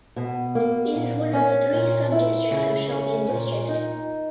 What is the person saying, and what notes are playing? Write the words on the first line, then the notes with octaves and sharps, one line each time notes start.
It is one of three sub districts of Shopian district.
B2
A#3
A#2
C#4
A#2
E4
C#3
C#4
A#2
D#4